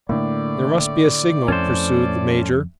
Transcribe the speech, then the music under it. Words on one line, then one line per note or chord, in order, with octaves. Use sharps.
"There must be a signal," pursued the major.
A2 D3 A#3 D5
F2 C#4 A4 C5